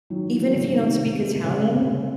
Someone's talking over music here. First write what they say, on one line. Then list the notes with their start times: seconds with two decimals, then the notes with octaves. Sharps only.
even if you don't speak Italian
0.10 D#3 F#3
0.29 E3
0.42 F#3
0.54 C#3 E3
0.67 C3 D#3
1.06 C3
1.35 C3
1.44 C#3
1.75 C3
1.82 C#3